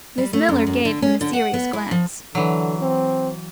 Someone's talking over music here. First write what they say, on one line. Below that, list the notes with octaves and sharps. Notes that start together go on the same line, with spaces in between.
Miss Miller gave him a serious glance.
G3
A3
F#2
F#2
D3
C#4
D3
F#5
B3
E4
F3
D3 E3 F#3
C4